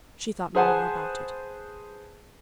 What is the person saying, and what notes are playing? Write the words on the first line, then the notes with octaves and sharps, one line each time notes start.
She thought no more about it.
G#4 B4 C5 F#5 G#5 A5